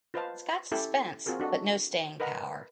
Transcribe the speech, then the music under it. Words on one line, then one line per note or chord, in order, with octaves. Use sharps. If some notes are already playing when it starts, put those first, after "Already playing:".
It's got suspense but no staying power.
F4 B4 C5 D#5 F5 A5
C#4 E4 G4 A4 E5 G5
C4 F4 F#4 G#4 A#4
D4 F#4 A4 D#5
A#4 B4 D#5 F#5 A#5